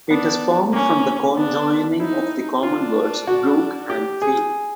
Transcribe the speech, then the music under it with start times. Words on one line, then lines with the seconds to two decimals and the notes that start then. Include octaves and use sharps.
It is formed from the conjoining of the common words "brook" and "field".
0.10 B3 D4
0.73 A#3 C#4
1.36 B3 D4
2.00 D#4 E4
2.63 D4 F4
3.27 F#4
3.90 G4
4.22 G#4